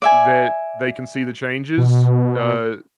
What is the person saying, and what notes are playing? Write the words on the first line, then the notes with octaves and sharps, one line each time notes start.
That they can see the changes, uh,
D5 E5 G#5
B2